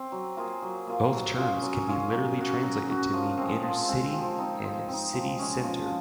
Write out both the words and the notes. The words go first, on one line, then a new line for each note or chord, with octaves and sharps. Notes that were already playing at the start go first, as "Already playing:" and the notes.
Both terms can be literally translated to mean "inner city" and "city centre".
Already playing: C4
F#3
A#3 F4 G#4
F#3
A#3 F4 G#4
F#3
C#4 F4 G#4
F#3
C#4 F4 G#4
F#3
C#4 F#4
F#3
C#4 F#4
F3
G#3 C4
F3
G#3 C4
F3
C4 D#4
F3
C4
D#4
F3
G#3 C#4
F3